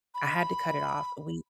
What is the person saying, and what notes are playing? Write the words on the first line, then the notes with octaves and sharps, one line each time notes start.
I had to cut it off. We
B5